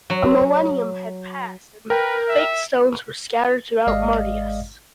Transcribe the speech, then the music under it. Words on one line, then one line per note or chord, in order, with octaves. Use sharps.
A millennium had passed, and the Fatestones were scattered throughout Mardias.
F#3
A#4 B4 G5
E5
G#1 G#3 D5 D#5 F5